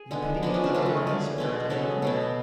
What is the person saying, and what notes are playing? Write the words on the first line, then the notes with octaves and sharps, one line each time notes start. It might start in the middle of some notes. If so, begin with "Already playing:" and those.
"You pity me, little one?" said d'Artagnan.
Already playing: G#4
D3 G#3 B3
F3 G#3 B3 D4
C#4
D4
C#3 F#3 A3 F4
F4
D3 F#3 A3 G#4
B2 G#3 B3
C#3 F#3 B3 A4
B2 F#3 B3